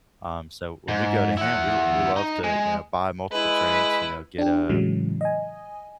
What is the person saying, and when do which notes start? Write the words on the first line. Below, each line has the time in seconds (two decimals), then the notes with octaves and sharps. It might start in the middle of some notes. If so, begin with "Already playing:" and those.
um, so when we go to him, we we love to, you know, buy multiple drinks, you know, get a
0.88 G#2
1.37 E4 F#5
2.16 D#4
2.44 G#3
3.32 G#3 E4 B4
4.39 D4 G4
4.70 A2 C#3 E3 F#3 G#3
5.21 D#5 G#5